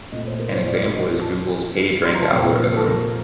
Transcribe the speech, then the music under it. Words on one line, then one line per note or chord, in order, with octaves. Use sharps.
An example is Google's PageRank algorithm.
A#2 A3 C4 D#5
C5
A#4
C5
D5
D#5
A5
C6
A#5
A5
A#2 F3 C4 G5
A4
A#4